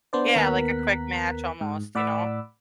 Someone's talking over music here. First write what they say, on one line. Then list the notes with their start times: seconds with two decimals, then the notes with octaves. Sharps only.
Yeah, like a quick match almost, you know?
0.13 B3 D4 C5 D5
0.36 D#2 B3 A#4 A#5 F#6 B6
1.61 G#2
1.95 A2 D5 F#5 B5 D6 E6